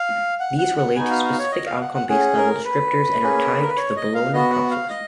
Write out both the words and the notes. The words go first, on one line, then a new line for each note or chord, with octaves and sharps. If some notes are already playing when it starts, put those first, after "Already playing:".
These relate to specific outcome-based level descriptors and are tied to the Bologna Process.
Already playing: F5
F#5
F#5
F#5
B3 D#4 F#4 G#5
F5
F5
C#5
D#5
F5
F#5
F#5
C#4 G#4 F#5
A#4
B4
A#3 C#4 G#4
A#4
B4
C#5
D#5
F5
B3 F#4 D#5
F#5
F5
D#5